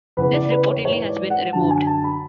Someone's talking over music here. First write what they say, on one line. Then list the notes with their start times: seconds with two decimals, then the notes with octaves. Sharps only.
This reportedly has been removed.
0.17 E2 C#3 E3 B4
0.33 D5
0.51 B4
0.67 C#5
0.85 G#2 E3 C#5
1.08 D5
1.30 F#5
1.53 F#2 D3 F#3 A5
1.71 G#5
1.87 A5
2.04 B5